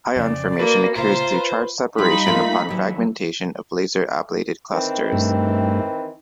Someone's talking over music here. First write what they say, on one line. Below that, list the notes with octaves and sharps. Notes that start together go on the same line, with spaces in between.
Ion formation occurs through charge separation upon fragmentation of laser ablated clusters.
F2 C#3 D5
A#3 F#4 A4 B4
C#2 A#2 E4 F4 C5 A#5
B4
G3 D#4 F4 B5
A3 A#3 F4
D#2 E3 F#3
D#3 E3 C4
G2 A3